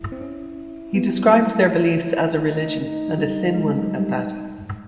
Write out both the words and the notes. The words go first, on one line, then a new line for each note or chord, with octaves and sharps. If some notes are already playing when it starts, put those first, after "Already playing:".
He described their beliefs as a religion and a thin one at that.
Already playing: E4
C4
C#4
B3
F#3
G3
G#3
A3
E4
D#4
D#4
F#3
G3
G#3
G3
F#3
G3